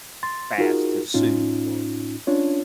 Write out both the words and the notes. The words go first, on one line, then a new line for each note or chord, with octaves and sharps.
fast to sue for
C6 A6
D#4 F4 F#4 G#4 A#4
A2 C#4 D#4 F4
C#4 D4 F4 C#5